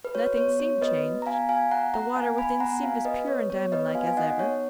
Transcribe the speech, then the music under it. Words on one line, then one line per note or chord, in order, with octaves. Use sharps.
Nothing seemed changed; the water within seemed as pure and diamond-like as ever.
B4
F#4 C#5
B3 C#5
F#4 C#5
B3 B4 D#5
F#4
A#5
B3 F5 G#5
F#4 F5 G#5
B3 F#5 A#5
F#4 F#5 A#5
B3 F5 G#5
F#4 G#5 B5
B3 F#5 A#5
F#4 F5 G#5
B3 B4 D#5
F#4 C#5
B3 C#5
B3 B4 D#5
F#4 F5 G#5
G#5
D#4 D#5 F#5
B3 C#5